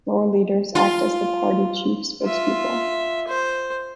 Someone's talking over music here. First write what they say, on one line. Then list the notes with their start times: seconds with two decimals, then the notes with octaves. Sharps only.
Floor leaders act as the party chief spokespeople.
0.75 F4
2.23 F4 E5
3.27 C5